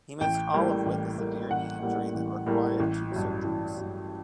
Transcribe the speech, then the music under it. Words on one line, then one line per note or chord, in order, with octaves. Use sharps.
He missed all of with a severe knee injury that required two surgeries.
A1 G5
A2 G3 A#3
A1
A2 G3 A#3
A1 F#5
A2 G3 A#3
A1
A2 G3 A#3
A1
G2 F#3
A1
G2 F#3